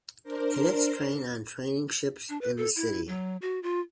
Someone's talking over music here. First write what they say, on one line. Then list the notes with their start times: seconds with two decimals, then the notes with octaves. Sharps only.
Cadets train on training ships in the city.
0.23 D4 A#4 C5
2.29 D4
2.41 B4
2.57 A4
2.76 E4
3.08 F#3
3.42 F#4
3.63 F4